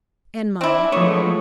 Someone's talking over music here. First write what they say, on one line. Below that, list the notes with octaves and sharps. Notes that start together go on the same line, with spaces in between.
"And mine."
C4 D4 E4
F3 G#3 A3 B3 C#5